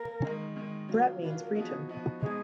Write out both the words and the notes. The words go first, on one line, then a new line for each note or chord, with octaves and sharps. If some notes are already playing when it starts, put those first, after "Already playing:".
"Bret" means 'Breton'.
Already playing: A#3 A#4
D#3 G#3 D#4
D#3 G#3 D#4
F#3 D4 F4
F#3 D4 F4 B4
A#4
F3 B3 D#4 F#4 G#4
F3 B3 D#4 F#4
B2 G#3 B3 D#4 G#4